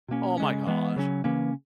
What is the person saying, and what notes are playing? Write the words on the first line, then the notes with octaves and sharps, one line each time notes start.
Oh my gosh.
B2 A#3 C#4
C#3 G#3 C#4
E3 G#3 B3
C#3 F#3 C#4
C#3 E3 A#3 C#4